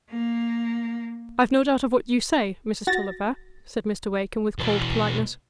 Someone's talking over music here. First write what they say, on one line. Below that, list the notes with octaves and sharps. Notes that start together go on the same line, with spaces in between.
"I've no doubt of what you say, Mrs. Tulliver," said Mr. Wakem, with cold politeness.
A#3
F#4 A6 A#6
E2 B2